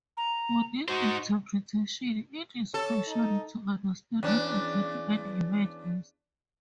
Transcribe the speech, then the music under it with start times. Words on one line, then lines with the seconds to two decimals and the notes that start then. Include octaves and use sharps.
For this interpretation, it is crucial to understand what exactly an event is.
0.17 A#5
0.88 D#4 F#4 C5
2.74 A4 C#5
3.07 D#4
4.23 E2 C#4 D4